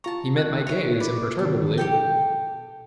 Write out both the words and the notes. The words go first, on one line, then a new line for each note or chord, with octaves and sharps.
He met my gaze imperturbably.
F4 A5 A#5 C#6
F#6
C#5 E5
D5 B5
D3 D#3 B3 A5
B2 G4 A4 G5